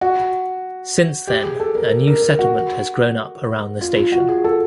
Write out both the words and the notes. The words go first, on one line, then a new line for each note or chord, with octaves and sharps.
Since then, a new settlement has grown up around the station.
F#4
G4
G#4
A4
A#4
A#4
A#4
F#4
F4
F4
F#4
G#4
A4